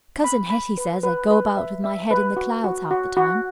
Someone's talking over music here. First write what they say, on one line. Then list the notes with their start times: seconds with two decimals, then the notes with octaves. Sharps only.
Cousin Hetty says I go about with my head in the clouds half the time.
0.24 B5
0.50 B5
0.77 B4
1.03 B4
1.31 B4
1.57 E5
1.84 E5
2.11 B4
2.37 F#4
2.64 F#4
2.91 F#4
3.17 F#4